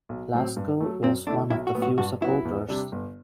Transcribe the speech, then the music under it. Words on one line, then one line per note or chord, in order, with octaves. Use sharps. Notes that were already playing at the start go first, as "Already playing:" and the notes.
Lasker was one of the few supporters.
B1
A2 F#3 C4
G2
F#3 A3
F#2 C4
D3 A3 D4 E4
B1 E4
F#4
A2 F#3 B3
F#4
G2 F#4
F#3 B3 E4 F#4
E2
C3 G3 D4
G1